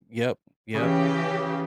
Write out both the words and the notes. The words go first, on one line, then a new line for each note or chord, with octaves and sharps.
Yep, yep.
C#3 E3 G4